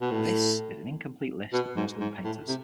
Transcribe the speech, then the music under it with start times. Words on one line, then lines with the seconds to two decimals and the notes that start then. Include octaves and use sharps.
This is an incomplete list of Muslim painters.
0.02 B2
0.11 A2
1.53 B2
1.77 G#2
2.01 G#2
2.24 A2
2.48 C3